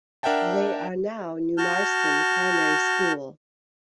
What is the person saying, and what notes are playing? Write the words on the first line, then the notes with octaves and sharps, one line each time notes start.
They are now New Marston Primary School.
D4 A#4 E5 F#5 G5 A5
F#4 A5 F6 G6